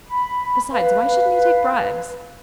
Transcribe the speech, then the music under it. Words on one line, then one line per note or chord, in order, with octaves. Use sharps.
Besides, why shouldn't he take bribes?
B5
B4 F5